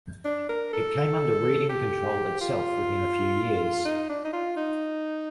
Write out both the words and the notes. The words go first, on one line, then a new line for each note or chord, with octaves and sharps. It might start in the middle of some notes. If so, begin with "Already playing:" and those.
It came under Reading control itself within a few years.
D4
A#4
A4
G4
F4
D#4
D4
D#4
F4
D#4